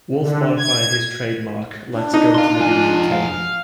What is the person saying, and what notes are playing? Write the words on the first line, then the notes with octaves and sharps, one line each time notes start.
Wolf modified his trademark Let's go to the videotape!
D3
G#6
D4
D#4
F5 C6
F2 F4 G#5
F5